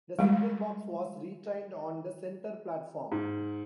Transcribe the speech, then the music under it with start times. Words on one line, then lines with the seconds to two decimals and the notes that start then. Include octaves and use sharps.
The signalbox was retained on the centre platform.
0.19 G3 G#3
3.12 G#2